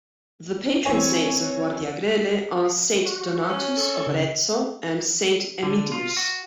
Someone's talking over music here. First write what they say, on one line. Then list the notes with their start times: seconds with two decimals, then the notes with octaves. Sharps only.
The patron saints of Guardiagrele are Saint Donatus of Arezzo and Saint Emidius.
0.85 E3 C4 C#5 G#5
3.05 F#4
3.49 C#4
3.77 A4 C#6
4.07 C#3
5.63 D3
5.92 F4
6.17 F#4